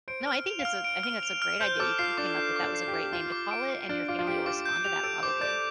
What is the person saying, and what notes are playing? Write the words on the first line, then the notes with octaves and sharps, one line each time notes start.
No, I think that's a I think that's a great idea, you ca you came up with that was a great name to call it, and your family will respond to that probably.
C5 D7
F6
F7
F5
F6
D7
F6
F7
F6
C5 G6
A4 D6
F4 C7
D4 D6
G6
D6
D4
C7
G4
D6
F4 F6
D6
D7
D6
D4 F6
F4 D6
F4
G4 D7
F4 D6
G6
G4 F7
A4 D7
C5 D6
D5 G6